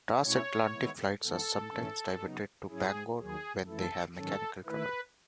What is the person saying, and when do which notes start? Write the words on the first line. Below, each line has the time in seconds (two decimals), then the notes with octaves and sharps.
Transatlantic flights are sometimes diverted to Bangor when they have mechanical trouble.
0.23 B2 A3 C#4 E4 C#5
0.73 D#3 G#3 B3 E4
1.22 G#2 E3 B3 A4
1.70 G#2 E3 A3 C#4
2.20 C#3 F#3 B3 D#4
2.69 G#2 F#3 C#4 E4 G#4
3.18 D#2 D#3 F#3 G#4
3.67 F#2 E3 A3 E4 A4
4.16 G#2 D#3 F#3 C#4 A4
4.65 D#3 A3 E4 B4